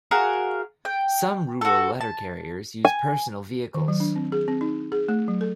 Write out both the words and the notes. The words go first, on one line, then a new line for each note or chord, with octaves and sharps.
Some Rural Letter Carriers use personal vehicles.
F#4 G#4 A#4 F5
G5
F#4 A4
A5
G#5
D#3
F#3
D4
C4
G#4
C4
D#4
G#4
A3
F#3
A4